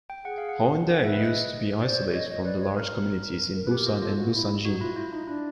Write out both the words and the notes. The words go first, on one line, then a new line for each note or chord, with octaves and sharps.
Haeundae used to be isolated from the large communities in Busan and Busanjin.
G5
G#4 F#5
F5
F#5
A#4 F#5
B4 E5
D#5
C5 D5
C#5
C#5 D#5
D#5
B4 D5
C#5
A#4
A#4
G4 B4
A#4
F4
F4 A4
F#4
E4
D#4 F#4
E4 F4
E4 F4
D#4 E4
D4 E4